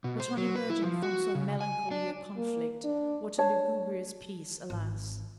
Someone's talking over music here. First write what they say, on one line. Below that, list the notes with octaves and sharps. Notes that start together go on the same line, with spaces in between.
But on emerging from so melancholy a conflict, what a lugubrious peace, alas!
B2
C5
F#3
B4
E4
F3
F#4
C#3
G#5
D4
A#3
D4
D4 C#5 A5
G#1